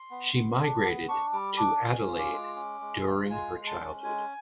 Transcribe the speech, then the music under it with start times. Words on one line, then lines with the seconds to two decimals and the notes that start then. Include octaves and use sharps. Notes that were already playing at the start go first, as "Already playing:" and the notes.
She migrated to Adelaide during her childhood.
Already playing: C6
0.11 B3
0.35 B3
0.59 D4
0.83 B3
1.09 D4 C#6
1.33 G3 D6
1.57 D4 D6
1.83 C#4
2.07 F4
2.19 D6
2.32 G#3
2.56 C#4
2.81 G#3
3.06 F4
3.30 G#3 G#5
3.55 G#3
3.67 A5
3.79 C#4
4.04 G#3 G#5